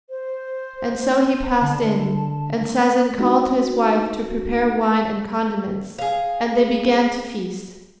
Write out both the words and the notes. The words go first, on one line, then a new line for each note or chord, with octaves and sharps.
And so he passed in, and Sazen called to his wife to prepare wine and condiments; and they began to feast.
C5
D3 G3 A5
G#3 D4 D#4 F#4
G#4 F5